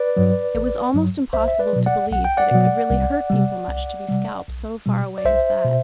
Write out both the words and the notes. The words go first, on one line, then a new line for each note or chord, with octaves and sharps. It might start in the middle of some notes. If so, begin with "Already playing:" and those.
It was almost impossible to believe that it could really hurt people much to be scalped so far away as that.
Already playing: B4 D5
G2 F#3
A1
G2 F#3
B1 C5 E5
E5
B4 D5
B2 F#3
D5 F#5
B1 F#5
G5
D5 F#5
B2 F#3
C2
C3 G3
C2
C3 G3
B1
B2 G3
D5
B1 C5 E5
B2